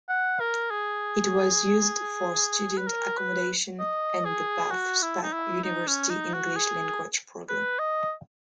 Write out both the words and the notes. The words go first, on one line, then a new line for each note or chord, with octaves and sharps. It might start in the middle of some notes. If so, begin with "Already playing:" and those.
It was used for student accommodation and the Bath Spa University English Language Programme.
F#5
A#4
G#4
B4
A#4
B4
D#5
G#4
F#4
E4
D#4
E4
D#4
C#4
D#4
F#4
G#4
B4
D#5